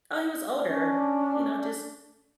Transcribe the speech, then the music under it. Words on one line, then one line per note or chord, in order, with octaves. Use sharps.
oh, he was older, you know; just
C#4 D4